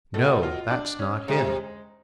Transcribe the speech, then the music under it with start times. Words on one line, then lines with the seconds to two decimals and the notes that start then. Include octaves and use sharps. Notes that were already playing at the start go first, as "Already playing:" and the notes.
"No, that's not him!"
0.14 B2 A3
0.43 F4
0.70 D4
0.99 C#4
1.28 C3 G#3